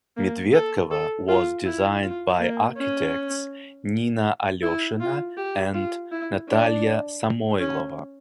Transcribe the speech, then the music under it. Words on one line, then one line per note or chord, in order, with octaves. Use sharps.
Medvedkovo was designed by architects Nina Aleshina and Natalya Samoilova.
A#3
A4
A4
F4
E4
F4
A#3
C#4
E4
F4
G4
F4
E4
D4
C#4